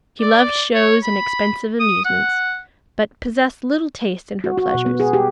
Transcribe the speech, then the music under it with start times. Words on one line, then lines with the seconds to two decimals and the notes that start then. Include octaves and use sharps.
She loved shows and expensive amusements, but possessed little taste in her pleasures.
0.21 D5
0.75 C#5
1.03 B5
1.80 D#6
2.05 F#5
4.44 F#4
4.58 F#4
4.74 B2
4.86 B3
5.00 G#4
5.13 G4